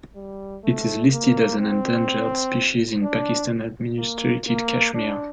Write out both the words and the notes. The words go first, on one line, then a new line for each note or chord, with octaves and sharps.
It is listed as an endangered species in Pakistan-administered Kashmir.
G3
A3
A#3
C4
D4
A#3
A#3
D4